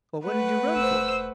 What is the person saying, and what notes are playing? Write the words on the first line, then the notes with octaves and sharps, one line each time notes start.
"Well what did you run for?"
A3 B4 F#5
E1 C5 E6